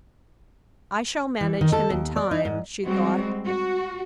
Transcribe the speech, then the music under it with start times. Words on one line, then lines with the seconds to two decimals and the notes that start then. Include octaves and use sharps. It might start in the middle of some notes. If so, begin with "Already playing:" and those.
"I shall manage him in time," she thought.
1.41 E3
1.61 D#3
1.72 A4
1.90 D#2
2.16 D5
2.31 D#4
2.45 G#2
2.85 G3 G#3 C4 F#4
3.45 F#4